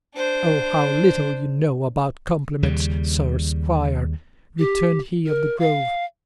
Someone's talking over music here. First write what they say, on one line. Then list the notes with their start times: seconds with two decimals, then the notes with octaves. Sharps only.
"O how little you know about compliments, sir squire," returned he of the Grove.
0.15 D4 C5
2.63 D#2 C#3 G3
4.59 G4
5.26 A#4
5.59 F5